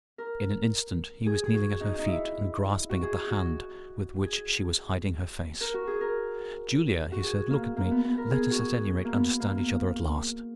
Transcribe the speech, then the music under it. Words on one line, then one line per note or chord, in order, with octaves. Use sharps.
In an instant he was kneeling at her feet, and grasping at the hand with which she was hiding her face. "Julia," he said, "look at me; let us at any rate understand each other at last."
A#4
G#4
G#4
F#4
D#4
D#4
E4
F#4
G#4
G#4
F#4
G#4
A#4
F#4
G#4
A#4
F#4
G#4
A#3
A#3
B3
B3
A#4
G#4
F#4
G#4
A#3
B3
A#3
A#3